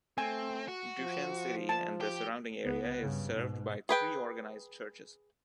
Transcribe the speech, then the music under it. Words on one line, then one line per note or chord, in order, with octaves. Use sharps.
Duchesne city and the surrounding area is served by three organized churches.
A3 C4 G#5
F#4
F3
A5
G4
C#2 B3
G2 C#3
G#2 B2
G#4 B4 G5